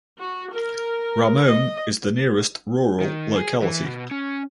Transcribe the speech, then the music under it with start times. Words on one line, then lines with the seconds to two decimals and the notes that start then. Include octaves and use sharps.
Ramon is the nearest rural locality.
0.19 F#4
0.52 A#4
1.46 D#5
3.00 D#3
3.36 G#4
3.62 E3
3.85 B2
4.11 C#4